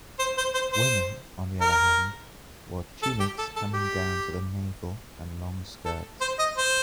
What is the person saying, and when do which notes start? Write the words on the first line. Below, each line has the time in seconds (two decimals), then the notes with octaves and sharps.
Women, on the other hand, wore tunics coming down to the navel and long skirts.
0.19 C5
0.37 C5
0.54 C5
0.73 C5
1.61 A#4
3.02 A4
3.20 G4
3.38 A4
3.56 A4
3.74 G4
5.85 A4
6.21 C5
6.39 D#5
6.57 C5